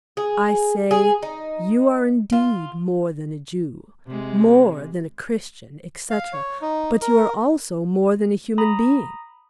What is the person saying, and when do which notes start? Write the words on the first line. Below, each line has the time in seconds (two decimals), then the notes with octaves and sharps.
I say: You are indeed more than a Jew, more than a Christian, etc., but you are also more than a human being.
0.17 G#4
0.91 G#4
1.22 D#4
2.32 F4
4.07 C3 G#3
6.10 F5
6.33 C#5
6.62 D#4
7.01 A#4
8.58 A#5 B5 D#6